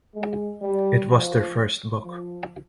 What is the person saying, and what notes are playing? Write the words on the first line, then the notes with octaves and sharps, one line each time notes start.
It was their first book.
G#3
G3
F3
F3